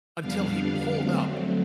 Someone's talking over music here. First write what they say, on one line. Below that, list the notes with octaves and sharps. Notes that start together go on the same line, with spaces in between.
until he pulled up?
F2 D3 G3 B3 D4 F5
D3 F#3 A3 C4